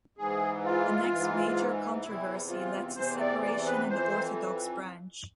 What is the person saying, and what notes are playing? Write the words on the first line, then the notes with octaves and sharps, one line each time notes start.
The next major controversy led to separation in the Orthodox branch.
G#2 E3 G#4
F4
G#2 E3
E2 C3 E3 E4
F4
E2 C3 E3 C5
D5
D5
B4
F2 E3 C5